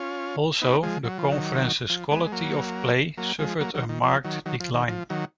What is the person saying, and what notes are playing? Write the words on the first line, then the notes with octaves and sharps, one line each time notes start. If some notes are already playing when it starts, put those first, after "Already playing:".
Also, the conference's quality of play suffered a marked decline.
Already playing: C#4 F4
B3 D#4
F3 G#3
F#3
F3
D#3 F#3
F3
G#3 B3
G#3
F#3 A#3
F#3 A#3
F3 G#3
F#3 A#3
D#3 F#3
D#3
F3
D#3 F#3
D#3 F#3
F3
D#3
F3
D#3 F#3